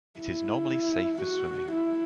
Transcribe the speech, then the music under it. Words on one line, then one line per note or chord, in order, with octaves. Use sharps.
It is normally safe for swimming.
E4
F#4
E4